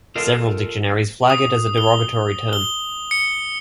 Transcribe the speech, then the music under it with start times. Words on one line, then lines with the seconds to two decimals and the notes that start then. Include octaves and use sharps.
Several dictionaries flag it as a derogatory term.
0.15 F4 A4 A#4 D#5
1.30 D#6
1.78 G7
2.53 G7
3.11 C#7